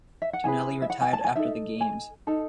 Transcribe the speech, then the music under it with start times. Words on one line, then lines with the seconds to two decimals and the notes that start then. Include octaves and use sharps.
Tonelli retired after the Games.
0.22 E5
0.33 F#5
0.44 E4 G#4 B4 G#5
0.82 E5
0.90 F#5
1.01 G#5
1.13 A5
1.24 G#5
1.35 D#4 A4 E5
1.81 G#5
2.27 D#4 A4 A5